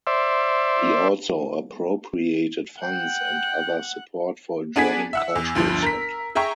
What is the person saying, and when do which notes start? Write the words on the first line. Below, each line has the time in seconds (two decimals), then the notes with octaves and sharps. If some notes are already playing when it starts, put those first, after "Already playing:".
He also appropriated funds and other support for a German cultural center.
0.07 C5 D5 E5
2.83 F#5 G5
4.76 B3 D4 G#4 G#5 B6
5.13 E5 F#5 E6
5.35 E2
5.55 G1 D2 G2 F3
5.82 A#4 B6
6.35 G#4 E5 G5 A#5 C#6